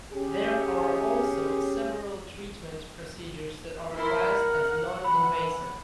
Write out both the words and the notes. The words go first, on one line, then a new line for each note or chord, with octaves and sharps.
There are also several treatment procedures that are classed as non-invasive.
C#4 G4 G#4
E3 E4 A#4 C6
F#5
E3 B5